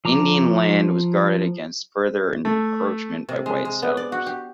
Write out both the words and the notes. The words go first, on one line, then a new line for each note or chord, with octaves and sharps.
Indian land was guarded against further encroachment by white settlers.
F3 A#5 D6
A3
C3
G#3
G#3
B3
D5
F#4
G4